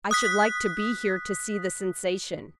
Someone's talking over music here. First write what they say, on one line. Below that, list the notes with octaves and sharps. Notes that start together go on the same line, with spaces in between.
I should like to be here to see the sensation.
D#6 F#6 B6